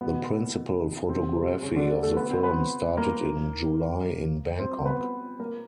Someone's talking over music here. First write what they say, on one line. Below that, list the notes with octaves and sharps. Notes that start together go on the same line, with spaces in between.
The principal photography of the film started in July in Bangkok.
B2 B3
C3 C4
C3 C4
C#3 C#4
D3 D4
A3 A4
B3 B4
C4 C5
B3 B4
A#3 A#4
C4 C5
B3 B4
A#3 A#4